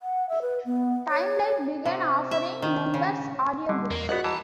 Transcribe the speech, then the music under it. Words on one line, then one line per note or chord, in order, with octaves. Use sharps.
Time-Life began offering members audiobooks.
F#5
E5
B4
B3
C#5
C3
E5
D#3
C#3
D3 G3
E2 A#2 A#3
A#1 B3 F#4 D#5 F#5
E3 A5 A#5